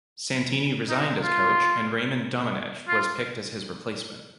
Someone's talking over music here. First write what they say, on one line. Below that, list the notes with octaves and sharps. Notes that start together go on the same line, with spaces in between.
Santini resigned as coach and Raymond Domenech was picked as his replacement.
D#4
F4
F4